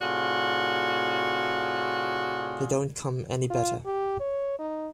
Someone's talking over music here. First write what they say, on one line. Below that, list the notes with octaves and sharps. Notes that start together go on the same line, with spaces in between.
They don't come any better.
A2 C3 F4 F#4 G#4 D5
F4
G4
C#5
D#4